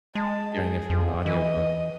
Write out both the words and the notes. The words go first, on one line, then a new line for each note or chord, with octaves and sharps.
hearing it from an audiobook.
G#3 A5
G#4
F2
E3 D#5